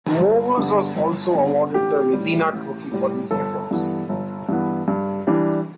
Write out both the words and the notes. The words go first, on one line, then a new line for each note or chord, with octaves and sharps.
Mowers was also awarded the Vezina Trophy for his efforts.
G1
G2 D3 B3
G1
G2 D3 B3
A1 G4
G3
A2
A1
A2 G3
G1 A4
G2 E3 B3
G1
G2 E3 B3
G2
E3 G3 D4